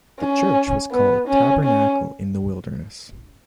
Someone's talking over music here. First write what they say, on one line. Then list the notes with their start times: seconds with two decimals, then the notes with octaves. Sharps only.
The church was called Tabernacle In The Wilderness.
0.20 C#4
0.92 B3
1.28 C#4
1.64 C#4